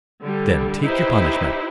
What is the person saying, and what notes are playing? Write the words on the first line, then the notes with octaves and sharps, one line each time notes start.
"Then take your punishment!"
D3 G3
D#4 E4 G4 B4 C5